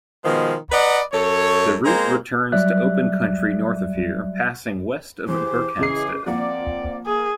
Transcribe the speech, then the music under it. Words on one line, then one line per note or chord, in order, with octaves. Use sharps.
The route returns to open country north of here, passing west of Berkhamsted.
B2 D#3 F3 G#3 B3
B4 D5 D#5 F#5 A#5
F#2 A4 C#5
G#3 A#3 C4 C5 A#5
F#3 G3 D5 E5 F#6
E3 G4 G#4 C5 D6
C#3 E3 G#4 D#5 C7
F3 A#3 C4 D5 F#5
A#3 G#4